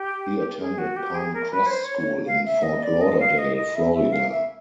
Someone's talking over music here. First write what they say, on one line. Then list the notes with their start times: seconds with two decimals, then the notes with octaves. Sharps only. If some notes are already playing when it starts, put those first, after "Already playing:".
He attended Pine Crest School in Fort Lauderdale, Florida.
Already playing: G4
0.59 G#4
0.78 F#4
0.96 G4
1.14 G#4
1.34 A#4
1.51 B4
1.66 C#5
1.70 C5
1.84 C#5
1.98 C#5
2.26 F5
2.45 E5
2.63 D#5
2.82 D5
3.01 D#5
3.20 F5
3.38 D#5
3.56 D#5
3.75 E5
3.93 E5
4.12 F5
4.30 E5